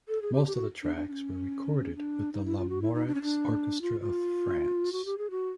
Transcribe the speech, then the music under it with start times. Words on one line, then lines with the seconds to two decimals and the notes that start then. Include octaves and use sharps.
Most of the tracks were recorded with the Lamoureux Orchestra of France.
0.08 A4
0.22 G#4
0.33 G4
0.47 G4
0.55 F#4
0.83 D4
0.96 D4
1.08 D4
1.11 C#4
1.95 D4
2.33 D#4
2.45 E4
2.57 F4
2.69 F#4
2.82 E4
2.94 D#4
3.07 D4
3.14 C#4
3.22 D4
3.82 F4
4.00 F4
4.92 F#4
5.05 G4
5.18 G#4
5.30 F#4